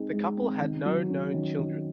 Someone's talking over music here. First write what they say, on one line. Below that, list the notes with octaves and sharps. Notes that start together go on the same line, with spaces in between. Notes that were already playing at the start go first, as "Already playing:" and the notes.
The couple had no known children.
Already playing: G#3 C4 D#4 G#4
G#3
C4
D#3
F#3
C#4
D#3
D#3